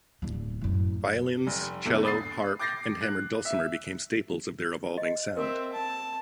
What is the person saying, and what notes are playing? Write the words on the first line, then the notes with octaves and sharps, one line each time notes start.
Violins, cello, harp, and hammered dulcimer became staples of their evolving sound.
D1 D3
F#2 A2
F1
E2 D3
B5 D#6 A6 C7
D6 G6 A6 A#6 C7
F#6
E5
D#5
C4 A#4 E5
A5